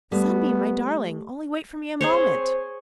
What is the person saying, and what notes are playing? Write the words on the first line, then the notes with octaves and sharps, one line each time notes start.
'Sunbeam, my darling--only wait for me a moment.'
G3 A3 B3 G4 A4
C4 G#4 C5 C#5